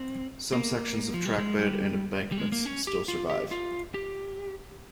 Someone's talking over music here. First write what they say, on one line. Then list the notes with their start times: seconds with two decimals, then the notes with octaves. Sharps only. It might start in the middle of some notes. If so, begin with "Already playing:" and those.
Some sections of trackbed and embankments still survive.
Already playing: C4
0.53 A#3
1.14 F3
1.25 G3
1.38 G#3
1.59 G3
2.32 G3
2.38 G#3
2.52 A#3
2.65 C#4
2.87 G4
3.08 F4
3.30 G4
3.51 F4
3.94 G4